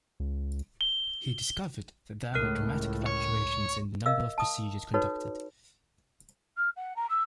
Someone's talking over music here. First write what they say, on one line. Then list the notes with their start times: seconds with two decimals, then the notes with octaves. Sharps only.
He discovered that there were dramatic fluctuations in the number of procedures conducted.
0.20 C#2
0.81 G7
2.34 C#2 A2 A#4 F6 F#6
3.06 C#5
4.06 A#4 D#5 F5 E6
4.38 A5 D#6
4.94 D#4 F#4 A4 B4 C#5
6.57 F6
6.76 F#5
6.96 A#5
7.09 E6